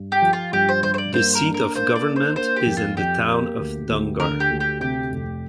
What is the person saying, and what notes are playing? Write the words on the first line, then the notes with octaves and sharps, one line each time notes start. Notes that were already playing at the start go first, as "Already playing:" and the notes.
The seat of government is in the town of Donggar.
Already playing: G2
G4
F3
F4
G2 G4
C5
G2 C5
C5
D5
A#3 C5
A#4
D4
A#4
A#3 C5
D5
D4
C5
A#3 C5
G4
F2
F4
F2 G4
A#3
D2
D2
D3 A#4
G4
D2
G4
C3 G4
F1